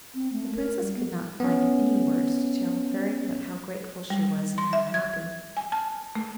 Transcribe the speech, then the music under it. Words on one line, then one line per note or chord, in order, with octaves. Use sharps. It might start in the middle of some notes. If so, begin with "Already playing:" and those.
The Princess could not find any words to tell Fairyfoot how grateful she was and how happy.
C4
A3
A#4
G3
B3
B3 C#4
G3
C6
E5
G#6
G#5
A5
A3